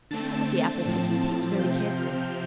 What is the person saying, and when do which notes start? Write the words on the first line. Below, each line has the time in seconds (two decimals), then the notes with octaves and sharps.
Some of the apples had to be picked very carefully.
0.11 D3 A3 C4 A5
0.49 A5
0.86 A2 F3 C4 A5
1.22 A5
1.59 C3 F3 C4 G6
1.97 F6